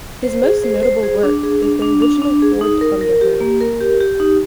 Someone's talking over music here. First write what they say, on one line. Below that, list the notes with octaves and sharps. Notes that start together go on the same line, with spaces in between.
His most notable work was the original Ford Thunderbird.
C5
G#4
C5
C5
G#4
D4
G#4
D4
D4
D4
D4
G#4
D#4
A#4
A#4
G4
A#3
A#4
G4
G4
D#4